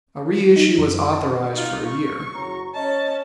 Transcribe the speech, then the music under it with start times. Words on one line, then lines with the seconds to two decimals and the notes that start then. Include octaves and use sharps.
A reissue was authorized for a year.
0.56 D#4
0.78 F#2
1.13 A5
1.53 D#4 F4
1.86 C#6
2.34 F#1 F#3 A#5
2.74 C#4 C#5 D#5 A5